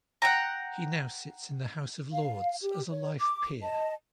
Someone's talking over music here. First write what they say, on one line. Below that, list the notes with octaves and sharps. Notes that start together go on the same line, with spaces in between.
He now sits in the House of Lords as a Life Peer.
F#5 G5 A#5
F5
G4
C#5
D6
D#5 A5